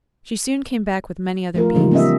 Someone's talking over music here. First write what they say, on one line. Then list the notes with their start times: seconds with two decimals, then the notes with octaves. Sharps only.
She soon came back with many other Bees.
1.54 F3 A3 F4 A#4
1.75 C#3 E3 F3 G3 G#3 D#4
1.91 A#3 B3 C#4 G4 D#5 E5